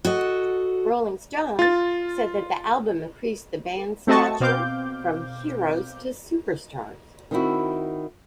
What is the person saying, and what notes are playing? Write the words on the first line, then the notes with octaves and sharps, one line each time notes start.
"Rolling Stone" said that the album increased the band's stature "from heroes to superstars".
F#4 A4 D#5
F4 A6
A3 C4 F#4 D#5 A5 C#6
B2 C4 F5 D6 G6
D#3 C4 E4 F#4